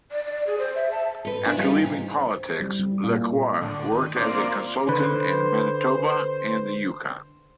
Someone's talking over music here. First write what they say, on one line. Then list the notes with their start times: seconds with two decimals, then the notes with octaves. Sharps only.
After leaving politics, Lecuyer worked as a consultant in Manitoba and the Yukon.
0.11 D5
0.25 D5
0.47 G#4
0.58 C5
0.75 E5
0.92 A5
1.25 A4 B4
1.44 C#3 A3 D4 G#4 C5
1.57 F3 G3 A#3 C#4 D#4 F4
1.71 C#4
1.82 C3 E3
2.16 C5
2.60 G3
2.79 G3
3.03 A#2
3.62 A2 D3
3.92 D#3
4.16 A#3 C4 D4 F4 C5 D5
4.89 D3 B4 C5